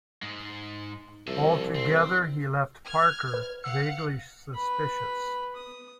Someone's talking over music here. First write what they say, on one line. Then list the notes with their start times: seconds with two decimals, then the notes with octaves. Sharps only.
Altogether he left Parker vaguely suspicious.
0.22 G#2 G#3
1.27 C2 F3 E5
1.75 C4
2.86 F6 G#6
3.34 B4
3.64 F5 F#5 E6 C#7
4.55 B4 B5
5.56 D#6